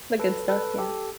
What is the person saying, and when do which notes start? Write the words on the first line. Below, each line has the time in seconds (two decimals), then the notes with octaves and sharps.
The good stuff, yeah.
0.20 A4 B4
0.49 A4 B4
0.78 G4 A4